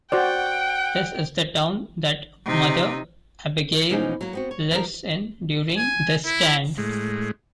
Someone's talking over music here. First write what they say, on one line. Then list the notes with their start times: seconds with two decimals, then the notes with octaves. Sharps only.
This is the town that Mother Abagail lives in during "The Stand".
0.12 F#4 C5 D5 F#5 G5
2.45 C3 D#4
3.90 B2 E3 F3 A#3 C#4 D#4
4.21 F#3 A#3
4.33 B3 C4 F#4
4.51 C#5
4.72 F3 A#4
5.77 G#5
6.25 E4
6.78 A2 G#3